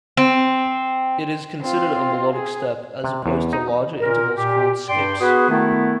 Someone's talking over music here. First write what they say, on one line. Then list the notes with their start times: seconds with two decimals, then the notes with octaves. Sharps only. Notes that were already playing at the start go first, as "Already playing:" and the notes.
It is considered a melodic step, as opposed to larger intervals called skips.
0.17 C4
1.61 C4 F4
2.36 G#4
3.04 C3
3.26 E2
3.53 D#4
4.00 A#2 A#4
4.36 A#2 G4
4.89 G2 D5 G5 C6
5.20 B3 F#4 G#4 B4
5.50 D#3 A3 B3 E4